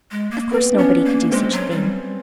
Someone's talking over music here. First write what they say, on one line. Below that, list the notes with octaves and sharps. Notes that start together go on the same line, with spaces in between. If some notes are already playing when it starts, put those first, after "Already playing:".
Of course nobody could do such a thing.
G#3
A#3
B3 C4
D4
B3 C#4
A#3
G#3 C4
F#3
G3